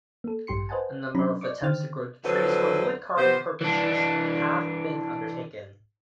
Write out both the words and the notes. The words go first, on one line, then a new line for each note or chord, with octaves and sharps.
A number of attempts to grow the trees for woodcarving purpose have been undertaken.
A#3 A4
A1 G2 G4 C6 C#7
B4 C5 D#5 F#5 G#5 A5
F#3 C#4 D4 A#5 B5
D5 D#5 C#6 D6
D3 D#3 C5 G5 F6 A6
F2 D3 E3 F#3 B4 C5
C3 B3 C5
E3 D4